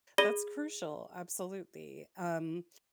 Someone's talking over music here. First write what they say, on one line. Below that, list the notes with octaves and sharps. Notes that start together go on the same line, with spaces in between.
that's crucial, absolutely, um,
G#4 D5 B5 A#6 D#7 G7